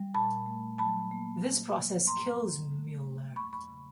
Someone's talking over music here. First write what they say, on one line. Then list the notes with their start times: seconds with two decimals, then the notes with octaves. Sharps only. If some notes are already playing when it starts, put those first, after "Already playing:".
This process kills Mueller.
Already playing: G3
0.14 A#2 A5 B5
0.46 A3
0.78 F#3 A5 B5
1.11 A#3
1.43 A#3
1.76 F3
2.07 G2 A#5 C6
2.40 G3
2.71 A3
3.04 A3
3.36 E2 B5 C#6
3.53 B5 C#6
3.68 C#3